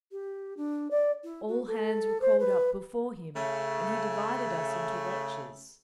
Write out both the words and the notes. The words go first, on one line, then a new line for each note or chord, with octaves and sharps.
All hands were called up before him, and he divided us into watches.
G4
D4
D5
E4
F#4
A4
C5
B4
C#3 A3